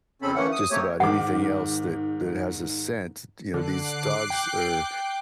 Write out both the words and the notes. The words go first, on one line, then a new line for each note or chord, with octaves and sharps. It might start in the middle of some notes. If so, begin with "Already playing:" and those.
just about anything else that that has a scent, you know, these dogs are
F2 C#3 C4 C#4 A4 B5
D3 E3 A3 A#3 C#4 F#5
D#6
A3 A#3 C4 G4 C#5
G#2 D#3 F#5 D6
D3 D6 F#6 C7
G5